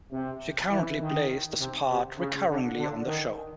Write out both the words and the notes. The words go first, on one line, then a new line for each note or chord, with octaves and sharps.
She currently plays this part recurringly on the show.
C3
E3
D#3
C3
C3
C#3
D3
D3
D#3